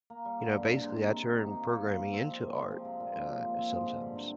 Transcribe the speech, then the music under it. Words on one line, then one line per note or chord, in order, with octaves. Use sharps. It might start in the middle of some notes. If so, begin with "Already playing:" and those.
you know, basically, I turn programming into art, uh, sometimes.
A#3
G3
D3
G2
C3
G#3
D#3
C3
G4
D#4
A#3
G3
F3
G4
C4
F3
C3
G#3
F3
C3
A#2
G#3
F3
A#2
C4
G#3
D3
G2
C3